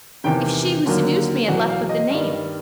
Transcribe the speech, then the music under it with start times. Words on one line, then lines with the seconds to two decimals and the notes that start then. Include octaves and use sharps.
If she who seduced me had left but the name.
0.24 E2 C3 D#3 G5
0.86 D#2 D3 F#3 A#3
1.48 E2 B2 F#3 F#5
1.68 F5
1.89 D#5
2.10 G2 D#3 G3